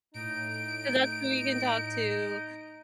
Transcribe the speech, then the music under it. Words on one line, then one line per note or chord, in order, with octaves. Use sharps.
'cause that's who we can talk to
A2 D#4 D7